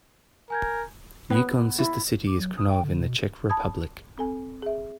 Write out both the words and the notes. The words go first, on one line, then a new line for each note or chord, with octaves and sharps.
Yukon's sister city is Krnov in the Czech Republic.
A#4 G#5 G6 G#6
B3
E4
D6
F#3
D#6
G5
D3
B2
A5 B5 D#6 G#6
C4 A4 G#5
G#4 E5